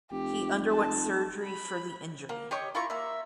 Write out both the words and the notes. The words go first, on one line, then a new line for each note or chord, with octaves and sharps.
He underwent surgery for the injury.
F1 G4
A5
B5
A#3
G4 C#5 D#5 C#6
E4 F4 A#5 C#6
A#3 E5